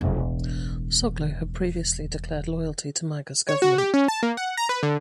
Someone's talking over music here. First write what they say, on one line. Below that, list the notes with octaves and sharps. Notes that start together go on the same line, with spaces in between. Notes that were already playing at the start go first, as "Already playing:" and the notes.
Soglo had previously declared loyalty to Maga's government.
E1 A1
C#5
F#4
G4
C#4
A5
A#3
F#5
A#5
B4
D3